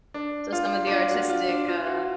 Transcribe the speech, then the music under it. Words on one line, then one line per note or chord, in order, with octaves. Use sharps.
So, some of the artistic, uh,
D4
F4
D4
F4
F#4
F4
D4
F4
F#4